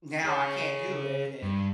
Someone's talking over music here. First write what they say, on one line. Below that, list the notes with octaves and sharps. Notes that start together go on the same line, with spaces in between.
now I can't do it, and,
G#4 C#5
G2